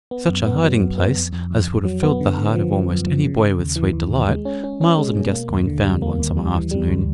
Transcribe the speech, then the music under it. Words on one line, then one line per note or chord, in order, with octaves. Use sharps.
Such a hiding-place as would have filled the heart of almost any boy with sweet delight Myles and Gascoyne found one summer afternoon.
B3
F#2
B3
F#3
F#2
B3
F2
F2
F2
F2
F#3
B3
D3
D3
F3
F3
F#2
F3
C#3
C#3
D#2
E3
D#2
D#2
G#3
C#4
C#4
C#4
G#3
B2
A#3
D#2
D3
G3
A#3
D#2
G3
E3
G3
D2